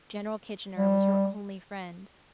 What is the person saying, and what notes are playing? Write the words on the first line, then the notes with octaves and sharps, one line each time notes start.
General Kitchener was her only friend.
G3